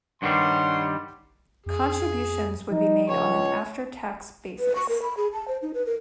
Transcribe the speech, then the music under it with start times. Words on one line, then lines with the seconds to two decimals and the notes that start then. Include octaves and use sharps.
Contributions would be made on an after-tax basis.
0.22 G2 D#3 G3 C#5 F#5 C6
1.66 F2 G#4
2.71 F3 D#4
3.09 C#2 C#5 C#6
4.59 B4
4.76 C#6
4.89 A#4
5.02 B5
5.17 G#4
5.33 A5
5.48 C5
5.62 D#4
5.74 B4
5.86 A#4